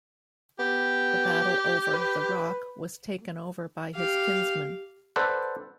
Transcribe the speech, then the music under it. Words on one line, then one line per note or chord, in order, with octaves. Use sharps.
The battle over "the rock" was taken over by his kinsmen.
B3 G4
B4
G4 F5
A4 B4 C5 D5 F#5